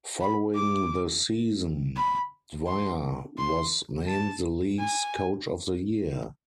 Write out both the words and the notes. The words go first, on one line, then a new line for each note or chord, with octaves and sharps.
Following the season, Dwyer was named the league's coach of the year.
B5
D6
B5
C6
C6
A5
G#5